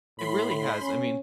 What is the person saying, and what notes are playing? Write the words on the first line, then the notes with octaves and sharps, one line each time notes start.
it really has. I mean,
A2 B5 C6
C#4